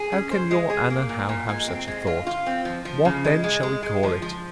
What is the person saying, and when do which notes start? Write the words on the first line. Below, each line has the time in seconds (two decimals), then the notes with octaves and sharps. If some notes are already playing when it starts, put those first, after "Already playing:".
How can your Anna Howe have such a thought?--What then shall we call it?
Already playing: G#4
0.12 C#4
0.31 C5
0.51 G#3
0.70 G#4
0.90 A#3
1.09 A#2
1.29 A#2
1.49 G#3
1.68 C4
1.88 G#3
2.07 F4
2.27 F4
2.46 C4
2.65 F3
2.85 F3
3.05 C#3
3.25 G#3
3.44 G#3
3.63 G#3
3.83 G#3
4.03 F3
4.22 F3